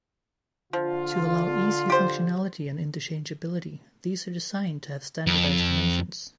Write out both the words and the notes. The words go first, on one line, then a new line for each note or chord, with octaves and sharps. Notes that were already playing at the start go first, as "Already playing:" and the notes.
To allow easy functionality and inter-changeability, these are designed to have standardised dimensions.
D3 F3 F4
G4 C5
F2